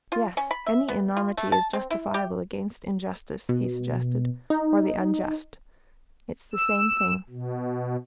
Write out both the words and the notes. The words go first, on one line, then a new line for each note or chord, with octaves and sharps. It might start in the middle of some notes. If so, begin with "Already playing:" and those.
"Yes, any enormity is justifiable against injustice," he suggested, "or the unjust; it's the same thing."
F4
C#4
B5
E5
B3
F4
A3
A5
C4
E4
G4
B2
D#4
E6
B2